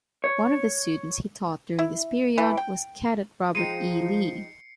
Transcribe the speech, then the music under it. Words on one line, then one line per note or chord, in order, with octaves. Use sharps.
One of the students he taught during this period was Cadet Robert E. Lee.
C#5
E4
E3
G5
F3 G#3 D#4 G5 C7 C#7 D#7